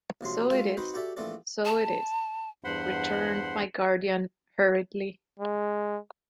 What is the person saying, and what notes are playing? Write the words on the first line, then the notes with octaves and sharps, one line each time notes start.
"So it is, so it is," returned my guardian hurriedly.
A#1 C3 F#3 C6
G#3 F4 F#4 A4
C4 D#4 F#4 B4 C5
F#4 G4 A4 D5 E5
A#1 E3 A3 C4 A4 D5
A5
E2 G2 C5 F#5 B5 C6
G#3